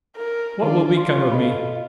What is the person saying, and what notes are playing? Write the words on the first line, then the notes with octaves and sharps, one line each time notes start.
What will become of me?
A#4
D#3 D4 F4 D5
F4 C6
A4 D#5 B5